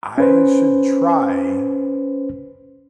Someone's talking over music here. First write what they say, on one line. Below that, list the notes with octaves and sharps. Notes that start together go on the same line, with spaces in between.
I should try
C#4 B4 C5